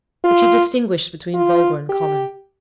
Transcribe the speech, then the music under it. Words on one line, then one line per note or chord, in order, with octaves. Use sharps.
But she distinguished between vulgar and common.
F4
F4
G4